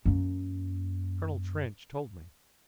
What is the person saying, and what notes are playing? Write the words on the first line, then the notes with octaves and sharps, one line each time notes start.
"Colonel Trench told me."
F#2 A#3